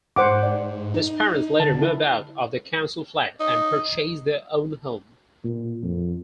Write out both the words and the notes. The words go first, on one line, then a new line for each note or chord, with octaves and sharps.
His parents later moved out of their council flat and purchased their own home.
G#2 C5 F#5 D6
D5
D#4
D3 A5
E4
D#4
A#2
F2